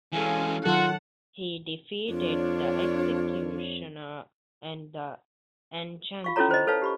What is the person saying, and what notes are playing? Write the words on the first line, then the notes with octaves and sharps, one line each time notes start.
He defeated the Executioner and the Enchantress.
E3 G#3 C#4 A4 F5 G#5
D#3 F#3 F4 F#4 A4 F#5 A5
F2 D4 F4 C#5
F4 F5 C#6
C#4 E4 F4 A4 C#5 A#5
C5 D#5
A4 B4 C#5 F5 A5
G4 B5 C#6